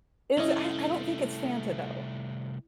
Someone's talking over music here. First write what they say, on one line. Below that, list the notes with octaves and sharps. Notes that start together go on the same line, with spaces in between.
Is I I don't think it's Fanta though.
C2 A3 C#4 E4 D#5